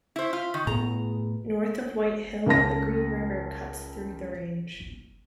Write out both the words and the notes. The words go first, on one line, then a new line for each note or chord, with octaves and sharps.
North of White Hill the Green River cuts through the range.
E4 C5 B6
F4
D#3
A2 B3 G#4 A#5
C#2 A#4 A5 A#6